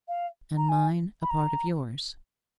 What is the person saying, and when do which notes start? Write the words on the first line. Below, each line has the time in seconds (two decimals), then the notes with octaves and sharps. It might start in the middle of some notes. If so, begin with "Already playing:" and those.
"And mine a part of yours?"
0.08 F5
0.57 A#5
0.69 G#5
1.22 B5
1.30 A#5